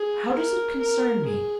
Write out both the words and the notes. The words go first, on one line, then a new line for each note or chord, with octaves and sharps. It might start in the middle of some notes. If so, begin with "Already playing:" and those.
How does it concern me?
Already playing: G#4
A#4
A#4
G#4